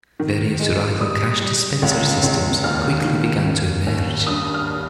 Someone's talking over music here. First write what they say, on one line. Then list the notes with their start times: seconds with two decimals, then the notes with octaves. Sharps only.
Various rival cash dispenser systems quickly began to emerge.
0.20 D#3
0.59 G#3
1.00 G3 D#6
1.42 G3
1.82 C#2
2.23 C#2
2.64 D#2 F6
3.04 D#3
3.45 C#3
3.87 D#2
4.27 G2 D#6
4.54 F6